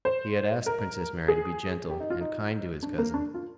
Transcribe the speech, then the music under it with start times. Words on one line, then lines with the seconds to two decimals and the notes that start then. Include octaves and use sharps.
He had asked Princess Mary to be gentle and kind to his cousin.
0.05 C5
0.66 A#4
1.28 G#4
1.90 G4
2.00 D#4
2.10 F4
2.21 D#4
2.83 D4
2.98 A#3
3.14 D4
3.34 F4